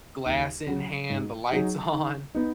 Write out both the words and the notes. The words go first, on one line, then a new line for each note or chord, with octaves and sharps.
glass in hand, the lights on?
D#2
C#3 F#3
G#2
F#3 D#4 G#4
D#3
B3 D#4